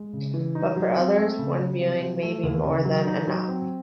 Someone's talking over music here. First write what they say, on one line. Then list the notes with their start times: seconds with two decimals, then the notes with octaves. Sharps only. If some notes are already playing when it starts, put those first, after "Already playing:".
But for others, one viewing may be more than enough.
Already playing: G#3
0.13 C#3
0.34 E3
0.55 D#4
0.76 F#3
0.96 C4
1.17 A3
1.39 C#3
1.59 F#3
1.80 C3
2.02 F#3
2.23 A3
2.43 D#2
2.64 C#3
2.85 F#3
3.07 D#4
3.27 F#3
3.48 C4